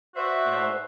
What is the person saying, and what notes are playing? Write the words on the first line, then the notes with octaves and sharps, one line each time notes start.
you know
F#4 B4 C5 D5 E5